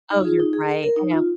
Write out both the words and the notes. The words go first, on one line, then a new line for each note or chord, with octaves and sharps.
Oh, you're right. I know.
D#4
F4
G#4
D#4
G#4
A#4
D#4
F4